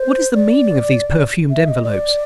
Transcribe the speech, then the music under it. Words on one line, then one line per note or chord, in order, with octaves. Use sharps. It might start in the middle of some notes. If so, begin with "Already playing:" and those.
What is the meaning of these perfumed envelopes?
Already playing: C5
D5
E5
D#5
D5